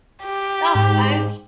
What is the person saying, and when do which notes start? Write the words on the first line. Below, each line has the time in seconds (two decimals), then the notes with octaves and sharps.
Ugh, I'm
0.24 G4
0.75 G#2